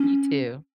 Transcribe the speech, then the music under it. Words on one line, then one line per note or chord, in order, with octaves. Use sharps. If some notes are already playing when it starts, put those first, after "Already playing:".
You too.
Already playing: C#4